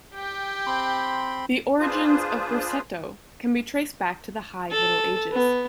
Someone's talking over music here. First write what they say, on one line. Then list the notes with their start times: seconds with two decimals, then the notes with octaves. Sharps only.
The origins of Grosseto can be traced back to the High Middle Ages.
0.14 G4 G5
0.67 C4 B5 C6
1.79 D4 F4 G#4 B4 C5
4.72 A4
5.33 B3